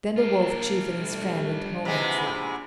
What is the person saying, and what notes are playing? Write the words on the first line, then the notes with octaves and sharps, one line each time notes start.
Then the Wolf chief and his friend went home and slept.
A#3 D4 F4
G3 A3
C3 E3 G#3 F#5 G#5 B5